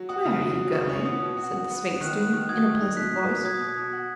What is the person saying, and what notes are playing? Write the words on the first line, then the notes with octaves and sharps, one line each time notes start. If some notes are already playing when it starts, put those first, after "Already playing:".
"Where are you going?" said the Sphinx to him, in a pleasant voice.
Already playing: F#3
F#4 D#6
C#3
F#3
F#3
C#3
C#4
B3 D#6
B2
F#4
F#4
B3
B3
D#3 F#6
B3
D#3
F#4 D#6 G#6
D#3
D#4
B2 F#6 B6
B2
B2
F#3 D#6 G#6
B2
B2
F#4